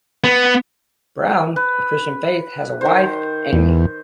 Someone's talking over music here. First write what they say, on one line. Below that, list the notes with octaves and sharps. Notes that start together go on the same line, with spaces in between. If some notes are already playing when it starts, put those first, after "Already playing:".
Brown, of Christian faith, has a wife, Ami.
B3
B4
D#3 C5
E2